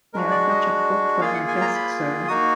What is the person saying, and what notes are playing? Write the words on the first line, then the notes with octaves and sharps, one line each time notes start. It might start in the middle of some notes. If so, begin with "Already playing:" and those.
May I fetch a book from my desk, sir?
G#3 D4 F#4 A#4
D5
D#5
A#3 F4 G#4 F5
F#5
G#5
A#5
B5
A#3 D#4 F#4 D#6